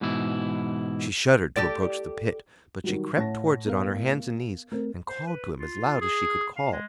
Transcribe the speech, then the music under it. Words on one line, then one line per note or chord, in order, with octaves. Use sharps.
She shuddered to approach the pit; but she crept towards it on her hands and knees, and called to him as loud as she could call.
G#2 B2 E3 E4
G4 A4 D5
D#3 F#3 G3
A2 C#5 F#5 A5 A#6
B3 A#4 F5
A3 C4 A#4
C5
B4
F4
G#4
F5
G#3